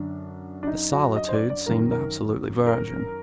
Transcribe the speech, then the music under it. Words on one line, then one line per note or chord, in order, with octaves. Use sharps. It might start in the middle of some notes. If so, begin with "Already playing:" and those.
The solitude seemed absolutely virgin.
Already playing: F#2 D3 D4
D4
D#4
F#4
D#5
C5
D5
D5
F#2 D#3 A#4
A#4
A#4